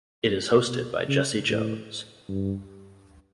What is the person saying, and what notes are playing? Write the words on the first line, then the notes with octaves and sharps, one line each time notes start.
It is hosted by Jesse Jones.
F#2
B2
C#3
A2
G2